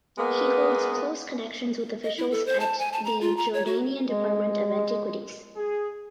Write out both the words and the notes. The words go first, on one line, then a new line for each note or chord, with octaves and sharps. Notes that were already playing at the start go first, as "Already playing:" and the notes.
He holds close connections with officials at the Jordanian Department of Antiquities.
G#3 A#3 B3
D#5
E4
A4
C5
A5
G#5
A5
A#5
F4
A#5
C#5
F#4
G#3
G#4